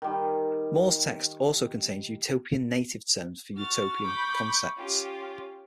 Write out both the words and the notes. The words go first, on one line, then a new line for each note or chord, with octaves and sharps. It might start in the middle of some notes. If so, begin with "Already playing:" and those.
More's text also contains Utopian "native" terms for Utopian concepts.
D#3 G3
F#4 C#6 F6 A6
B5 D6 G6
C#4 F4 G4